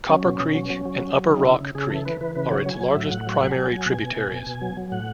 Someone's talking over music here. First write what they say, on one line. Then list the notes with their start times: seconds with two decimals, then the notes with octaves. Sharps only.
Copper Creek and Upper Rock Creek are its largest primary tributaries.
0.09 F#3 C#4
0.25 B2
0.40 B2
0.55 F#3
0.70 F#3
0.85 F#3
1.01 F#3
1.15 F#3
1.30 C#3 D#4
1.45 C#3 E4
1.60 C#3
1.75 C#3 G#4
1.90 E3 A4
2.05 E3 B4
2.21 E3 B4
2.35 C#3 B4
2.51 F#3 C#5
2.66 F#3 G#5
2.81 F#3
2.90 E5
2.96 A2
3.11 A2 F#5
3.27 F#3
3.32 F#5
3.42 F#3
3.51 G#5
3.56 F#3
3.71 F#3
3.86 B2
4.02 B2
4.16 B2
4.32 B2
4.47 B2
4.62 F#3
4.77 F#3
4.92 A2 F#5